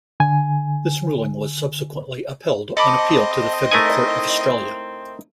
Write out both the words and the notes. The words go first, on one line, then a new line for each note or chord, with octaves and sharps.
This ruling was subsequently upheld on appeal to the Federal Court of Australia.
D3 G#5
C4 A4 D#5 B5 D6
A3 D#4 E4 A#4 G#5